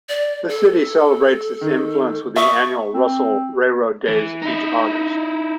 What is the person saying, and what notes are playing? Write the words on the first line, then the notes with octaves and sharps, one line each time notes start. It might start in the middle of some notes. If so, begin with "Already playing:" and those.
The city celebrates this influence with the annual "Russell Railroad Days" each August.
D5
A4
D#3
E5 C#6 D#6
C4
E3
D#4 E4